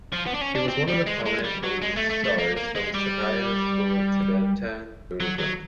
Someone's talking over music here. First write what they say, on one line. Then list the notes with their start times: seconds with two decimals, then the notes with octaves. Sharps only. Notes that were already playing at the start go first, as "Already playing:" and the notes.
He was one of the prominent Buddhist scholars from the Sakya School of Tibetan Buddhism.
0.12 F3
0.26 B3
0.34 D4
0.41 C#4
0.55 D4
0.68 C4
0.88 G3
1.06 G#3
1.26 G#3
1.44 G3
1.63 F#3
1.82 G#3
1.96 A3
2.10 A3
2.24 A3
2.39 A#3
2.57 A#3
2.76 G#3
2.94 G3
5.20 F#3
5.39 F#3